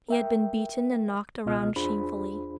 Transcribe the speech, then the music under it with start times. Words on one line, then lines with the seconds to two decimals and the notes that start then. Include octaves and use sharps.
He had been beaten and knocked around shamefully.
0.09 A#4 E5 G5
1.45 C#2 B2 B3 F4 D#5 F6
1.76 E2 D4 F4 G#4 C5 B5